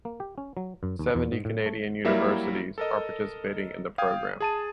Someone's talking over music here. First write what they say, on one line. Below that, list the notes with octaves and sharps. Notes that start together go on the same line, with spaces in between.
Seventy Canadian universities are participating in the program.
A#3
G4
C#4
F#3
F#2
D#2
E2
G#2
A2
A3
F#3 G3 A#3 E4 A#4 E5
A4 A#4 D#5
F5 G5 D#6 G#6
G#4 A5 D#7